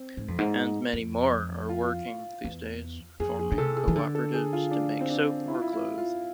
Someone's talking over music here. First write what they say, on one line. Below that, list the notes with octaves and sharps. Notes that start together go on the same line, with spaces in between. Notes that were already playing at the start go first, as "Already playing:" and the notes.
And many more are working these days, forming co-operatives to make soap or clothes.
Already playing: C4
G#2
F2
G#2
F2
F4
E2
F2 G#4
G#4
D3
C3 A4
G#4
E3
D3 A4
A4
G#4
F4
D4
C4
D4
E4
F4
E4
E4
F4